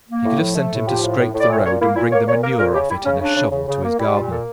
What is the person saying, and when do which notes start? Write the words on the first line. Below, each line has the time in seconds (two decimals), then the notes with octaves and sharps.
He could have sent him to scrape the road, and bring the manure off it in a shovel to his garden.
0.09 A#3
0.25 A2
0.40 F3
0.56 A3
0.71 A2
0.87 F3 G4
1.02 A2
1.18 A2
1.34 A2
1.40 D5
1.49 A#2 C#5
1.65 A#2 C#5
1.80 A#3 E4
1.96 A#2 E4
2.12 A#3 C#5
2.27 A#2 C#5
2.43 A#3 A#4
2.58 A#2 A#4
2.74 C#3 G4
2.90 G3 E4
3.06 C#3 C#4
3.21 C#3 D4
3.36 C#3
3.52 C#3
3.67 C#3
3.84 A#3
3.99 G3 E4
4.14 A#2 F4
4.30 A#3 A4